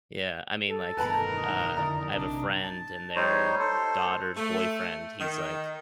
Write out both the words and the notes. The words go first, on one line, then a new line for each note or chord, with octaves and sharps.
Yeah, I mean, like, uh, I have a friend and their daughter's boyfriend, he's, like,
A4
E1 G2 B2 D#3 A#4 B4 A5 B5
D#4
F2 D3 E4 D5 A#5
A#1 C3 D4
A5
G3 D#4 C5 C#5
A4 C5
A3
D#3